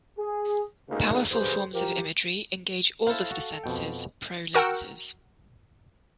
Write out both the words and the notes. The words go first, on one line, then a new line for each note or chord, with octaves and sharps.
Powerful forms of imagery engage all of the senses pro lenses.
G#4
D2 C#3 G#3 A#3 D#4 G#4
D3 G4 G#4 B4 C5
F3 G4 A#4
E4 A4 C5 F5
F#4
F2 B2 G5
F#4 A#4 F#5 G5 E6